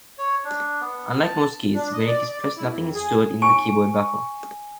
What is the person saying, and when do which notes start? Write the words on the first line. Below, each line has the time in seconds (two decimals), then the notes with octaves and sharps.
Unlike most keys, when it is pressed nothing is stored in the keyboard buffer.
0.18 C#5
0.44 D4
0.81 B3
1.21 A5
1.75 D4
1.93 D#5
2.07 D5
2.31 D5
2.57 E4
2.73 F2
2.94 G#4
3.42 G#5 C#6